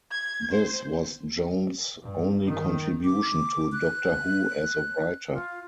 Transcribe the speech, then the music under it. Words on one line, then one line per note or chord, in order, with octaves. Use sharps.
This was Jones' only contribution to Doctor Who as a writer.
G#6
C5
G2
D#3
D6
F#6
F4